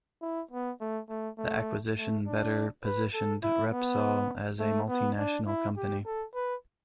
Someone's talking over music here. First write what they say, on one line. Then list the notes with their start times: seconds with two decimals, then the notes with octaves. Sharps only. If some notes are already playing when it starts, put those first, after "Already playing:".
The acquisition better positioned Repsol as a multinational company.
0.22 E4
0.51 B3
0.80 A3
1.09 A3
1.38 A3
1.97 A3
2.27 D4
2.85 B4
3.14 A4
3.43 E4
3.72 B3
4.60 A3
4.89 B3
5.18 D4
5.47 E4
5.77 G4
6.05 A4
6.35 B4